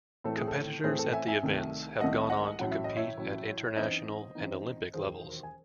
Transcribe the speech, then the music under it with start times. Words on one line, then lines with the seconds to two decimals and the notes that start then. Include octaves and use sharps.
Competitors at the events have gone on to compete at international and Olympic levels.
0.24 A2 E3 A3 C4 A4
0.37 G#4
0.48 A4
0.83 A2 E3 A3 C4 G#4 C5
0.99 A4
1.13 E5 G#5
1.27 E5 G#5
1.42 C2 C3 D#3 A3
2.00 C2 C3 D#3 A3 D#5 F#5
2.30 D#5 F#5
2.59 A1 A2 F#3 F#5
2.71 E5
2.84 D#5
2.96 C#5 E5
3.18 A1 A2 F#3
3.66 C#5
3.76 F#2 E3 C4 D#4 C5 D#5
4.35 F#2 E3 C4 D#4
4.94 E1 D#2 D#3 F#3 G#4 C5
5.43 G#5